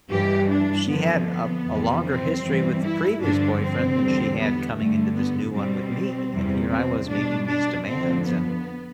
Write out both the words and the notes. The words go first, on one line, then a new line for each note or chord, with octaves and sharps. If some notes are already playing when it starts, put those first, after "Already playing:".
uh, she had a a longer history with the previous boyfriend than she had coming into this new one with me, and here I was making these demands and,
G2 E3 G3 G4
D4
F2 D3 F3 B3
B3
F2 C3 E3 G3
C4
G2 E3 G3
E4
G2 D3 F3 D4
C4
E2 D3 G3
B3
G2 D3 G3 A3
B3
B2 G3 C4
E2 C3 G3
C4
B2 G3 D4
D4
F2 D3 F3 C4
B3